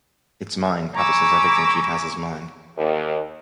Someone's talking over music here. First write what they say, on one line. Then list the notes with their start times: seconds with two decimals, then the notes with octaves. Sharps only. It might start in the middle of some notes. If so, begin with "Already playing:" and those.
It’s mine: papa says everything she has is mine.
0.95 G#5 A#5 B5 C#6 D6 E6
2.78 D#2